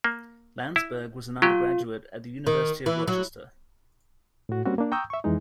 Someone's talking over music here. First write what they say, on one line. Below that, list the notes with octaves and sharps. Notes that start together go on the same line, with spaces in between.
Landsburg was an undergraduate at the University of Rochester.
A#3
E4
F#3 F4 G4
D#3
E3
F#3
A2 F#4
G3 A#3 C4 C#4 F#4
A#3 D4
G5 A#5 C#6 D#6 E6 G6
E5 C#6
F2 E3 G#3 D#4